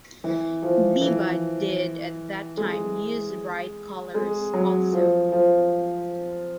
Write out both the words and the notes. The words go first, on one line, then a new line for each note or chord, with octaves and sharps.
Biba did at that time use bright colours also.
E3
F3
E3
G#3
G#3
F#3
F3
F3